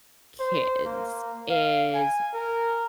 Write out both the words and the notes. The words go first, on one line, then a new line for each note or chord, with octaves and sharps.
Kids is
C5
A#3
F5
G#5
A#4